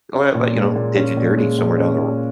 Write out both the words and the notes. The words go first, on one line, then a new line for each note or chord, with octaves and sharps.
l l, you know, did you dirty somewhere down the ro
C#4
A#2
G#3
A#2
C#4
A#2
G#3
A#2
C#4
A#2